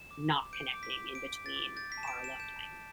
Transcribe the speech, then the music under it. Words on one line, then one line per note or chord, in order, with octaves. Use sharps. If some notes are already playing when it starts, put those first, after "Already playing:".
not connecting in between our alone time
Already playing: E7
D6
D6
G6 D7
D6
B6
D6
D6 D7
D6
A6
D6
G6 A6
B6
A5
E7
D7
G6
E7
G6 E7
A5